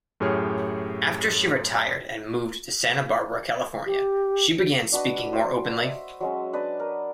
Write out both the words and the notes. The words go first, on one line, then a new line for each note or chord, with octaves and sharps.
After she retired and moved to Santa Barbara, California, she began speaking more openly.
F#2 A2 G4 G#4 C#5 F6
G4
D4 F#4 B4 D#5
C5
D#5 E5
F#3 G#3 C#4
D4 B4 D5 D#5
A#4